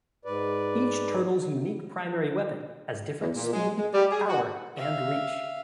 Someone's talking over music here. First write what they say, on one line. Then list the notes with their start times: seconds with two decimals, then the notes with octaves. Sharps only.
Each turtle's unique primary weapon has different speed, power and reach.
0.25 G#2 B4 D5
3.21 E2
3.35 A#2
3.53 G#3
3.77 G#3
3.93 G3
4.12 G#4
4.29 F#4
4.76 E5 F5